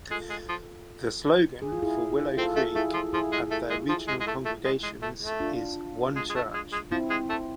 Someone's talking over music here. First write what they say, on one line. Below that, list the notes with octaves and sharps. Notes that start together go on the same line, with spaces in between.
The slogan for Willow Creek and their regional congregations is One Church.
G#3 F4 A4
G#3
F3
G#4
F4
E4 G#4
C4 F4 A4
A3
A3 E4 G#4
F3
F3 E4 G#4
G#3
A3
G#3
F3
G#3
G#3
A3
A3
G#3
G#3
A3
A3
D4 F4
G#3
G#3
A3
G#3
G#3
F3 C4 E4
G#3
A3